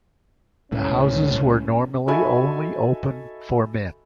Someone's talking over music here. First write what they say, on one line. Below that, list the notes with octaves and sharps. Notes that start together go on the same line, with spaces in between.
The houses were normally only open for men.
C#2 A2 C#4
D#4 F#4 A4 E5 G#5 B5